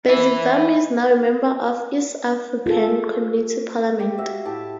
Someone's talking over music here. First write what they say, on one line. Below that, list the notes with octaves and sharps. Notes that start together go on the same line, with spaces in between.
Bazivamo is now a member of east african community parliament.
B4 E5
F4 G#4 A4
G4
F#4 E5 F5
A2 E4 G4 A5